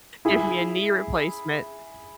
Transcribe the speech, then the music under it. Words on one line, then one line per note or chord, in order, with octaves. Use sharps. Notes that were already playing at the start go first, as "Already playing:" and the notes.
give me a knee replacement."
E4 G#4